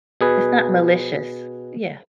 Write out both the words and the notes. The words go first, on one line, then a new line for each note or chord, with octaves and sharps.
It's not malicious, yeah.
B2 G#4 B4